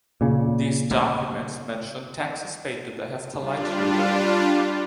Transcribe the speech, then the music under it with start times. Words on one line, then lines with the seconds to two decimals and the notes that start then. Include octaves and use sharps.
These documents mention taxes paid to the Hephthalite ruler.
0.21 A#2 C#3
3.37 G3 D4 F4